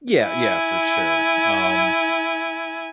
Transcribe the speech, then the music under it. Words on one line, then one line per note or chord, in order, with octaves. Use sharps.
Yeah, yeah, for sure, um,
E4 G#5